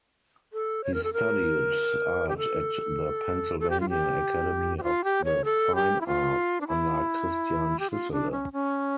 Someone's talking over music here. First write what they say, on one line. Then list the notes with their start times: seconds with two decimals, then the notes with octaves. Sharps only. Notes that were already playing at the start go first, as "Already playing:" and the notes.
He studied art at the Pennsylvania Academy of the Fine Arts under Christian Schuessele.
0.53 A4
0.84 C#5
0.94 A#4
1.03 A4
1.13 A#4
2.29 G4
2.37 A4
3.60 A4
3.70 G4
3.80 F4
3.89 G4
4.78 G4
4.83 F4
5.04 G4
5.24 C#5
5.44 A4
5.75 G4
6.01 E4
6.07 F4
6.61 D4
6.68 E4
7.79 G4
7.91 F4
8.12 D4
8.31 C#4
8.53 C#4